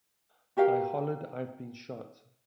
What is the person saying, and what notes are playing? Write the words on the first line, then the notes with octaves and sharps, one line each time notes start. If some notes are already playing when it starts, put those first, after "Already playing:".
I hollered 'I've been shot!
F#4 G4 A#4 F5